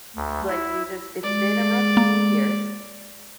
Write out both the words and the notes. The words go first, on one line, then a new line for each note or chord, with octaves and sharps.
like, we just it's been a rough few years,
D2
E4
G#3 D5
A#3